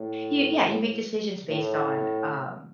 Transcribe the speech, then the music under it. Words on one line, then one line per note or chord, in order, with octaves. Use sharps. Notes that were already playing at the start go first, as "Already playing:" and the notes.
You yeah. You make decisions based on, um,
Already playing: A2
A2